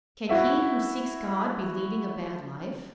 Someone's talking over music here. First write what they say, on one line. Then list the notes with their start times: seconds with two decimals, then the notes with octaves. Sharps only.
"Can he who seeks God be leading a bad life?"
0.29 E4 F#4 E5